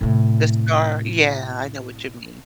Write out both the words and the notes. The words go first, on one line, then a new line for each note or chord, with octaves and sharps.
the star Yeah, I know what you mean.
A2 C3